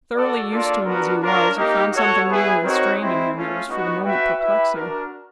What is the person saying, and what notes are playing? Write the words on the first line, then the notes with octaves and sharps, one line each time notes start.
Thoroughly used to him as he was, he found something new and strained in him that was for the moment perplexing.
F#4 A4 D5
A#3 D4 F4 A4 D5
B3 D4 F#4 A#4
D4 F4 A#4 C#5
A#3 D#4 G4 A#4
F#4 A4 C#5 F#5
B3 E4 G#4 B4
C4 D#4 F#4 A#4 C#5
G#3 C4 E4
A3 C#4 F4
B3 D#4 F#4
F#4 B4 E5 G5
E4 G4 B4 E5
D4 F#4 A#4